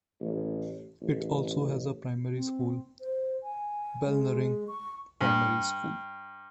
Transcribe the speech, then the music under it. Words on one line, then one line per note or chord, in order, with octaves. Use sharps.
It also has a primary school, Balnarring Primary School.
A1
A1
C4
C5
G#5
G#3
C#6
G2